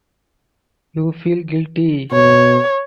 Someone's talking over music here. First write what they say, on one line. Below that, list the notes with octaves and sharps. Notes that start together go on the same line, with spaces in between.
You feel guilty.
B2 C#5